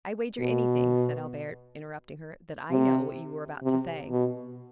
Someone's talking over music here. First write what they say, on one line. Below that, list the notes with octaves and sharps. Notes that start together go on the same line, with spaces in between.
"I wager anything," said Albert, interrupting her, "that I know what you were about to say."
B2
C3
C3
B2